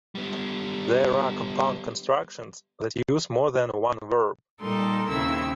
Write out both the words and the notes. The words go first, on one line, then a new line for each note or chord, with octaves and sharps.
There are compound constructions that use more than one verb.
G3 B3
A#2 G3 D#4 A4 A#4 C6
D#2 C#3 C4 E4 E6